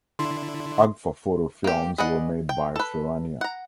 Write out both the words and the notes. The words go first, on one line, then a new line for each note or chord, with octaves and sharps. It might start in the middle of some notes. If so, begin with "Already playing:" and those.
AgfaPhoto films were made by Ferrania.
D3 D4 E4 C6
A#3 G4
G#4 B4 D5 D#5 F#5
G5
A4 B4
F#5 A#5